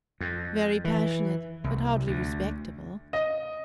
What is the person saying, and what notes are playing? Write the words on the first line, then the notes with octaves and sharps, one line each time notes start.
'Very passionate, but hardly respectable.
F2
E3
C2
D2
D#5